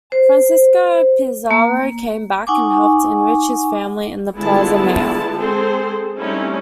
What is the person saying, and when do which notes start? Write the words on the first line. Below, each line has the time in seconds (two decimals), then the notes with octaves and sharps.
Francisco Pizarro came back and helped enrich his family in the Plaza Mayor.
0.12 C5
1.51 A#3
2.47 D#4 F#5 G#5 C#6 D6
4.37 D3 G#3 B3 E4 F4 A5
5.35 G#3 C4 G#4 A4 C5
6.17 G3 A3 C4 C#4 D#4 E4